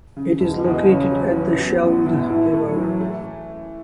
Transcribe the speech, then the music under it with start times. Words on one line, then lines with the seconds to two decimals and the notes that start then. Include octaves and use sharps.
It is located at the Scheldt river.
0.17 C#3
0.40 E1
0.53 B2
0.64 E2
0.88 C#3 C#4
1.11 F#3
1.24 E3
1.36 C#4
1.59 F#3 B3
1.82 A1
2.06 A2
2.30 A2 E4
2.54 A3
2.66 F#3
2.77 E3
3.00 A3